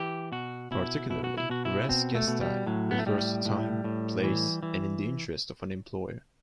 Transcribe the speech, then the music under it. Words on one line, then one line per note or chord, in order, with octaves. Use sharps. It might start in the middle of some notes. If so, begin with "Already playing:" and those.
Particularly, "res gestae" refers to time, place, and in the interest of an employer.
Already playing: E3 G4
B2 F#4
B2 E4
B2 E4
F#4
E4
B2 F#4
E4
B2 C4
A3
B2
G3
A2 F#3
B3
A3
A2 G3
A2
A2
E3
E3